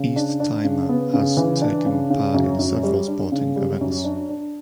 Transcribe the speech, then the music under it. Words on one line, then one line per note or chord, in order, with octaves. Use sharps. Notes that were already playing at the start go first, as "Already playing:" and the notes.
East Timor has taken part in several sporting events.
Already playing: C#3
D4
D4
C#3
B3
C#3
E3
D4
C#3
C#3
F#2
F#2
G3
D4
C#3
G3
F#2
D4
D4